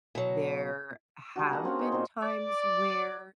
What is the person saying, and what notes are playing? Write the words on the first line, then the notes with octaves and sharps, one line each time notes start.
there have been times where
B2 F#3
G3 D4 F#4
A#3 G#4 F#5
A#3 C4 C#4 F#4
D#4 D#5
A#2 D#3 D#4 C5
D5